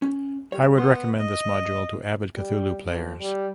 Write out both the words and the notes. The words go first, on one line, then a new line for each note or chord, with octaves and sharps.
I would recommend this module to avid Cthulhu players.
C#4
G3 C#5
B3 C6
D#5
G3
F2
G3